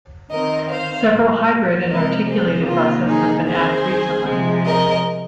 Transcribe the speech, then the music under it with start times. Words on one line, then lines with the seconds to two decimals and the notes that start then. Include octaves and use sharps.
Several hybrid and articulated buses have been added recently.
0.31 D#3 C4 A#4 D#5
0.70 C5 F5
1.10 A#2 A#3
1.88 C3 F3 G#3 C4 A#4 D#5
2.28 G#4 C5
2.67 C3 D#3 A#3 F4
3.07 D#4 G#4
3.47 D#3 C4 G#4 C5
4.26 C3 F3 G#3 C4
4.65 A#4 D#5